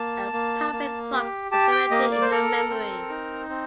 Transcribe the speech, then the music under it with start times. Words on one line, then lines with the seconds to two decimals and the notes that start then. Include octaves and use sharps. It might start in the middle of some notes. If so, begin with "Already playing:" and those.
A public clock was erected in her memory.
Already playing: A#3 A5
0.33 A#3
0.73 A#3
1.12 G4
1.51 G4 A5
1.71 G5
1.91 A#3 D#5
2.11 D5
2.21 C5
2.31 A4 A#4
2.70 C4
3.09 D#4
3.49 C4